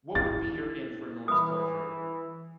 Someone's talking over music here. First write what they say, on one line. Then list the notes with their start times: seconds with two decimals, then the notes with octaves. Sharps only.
what would be your in for Norse culture?
0.15 E4 A6
1.28 E3 B5 D#6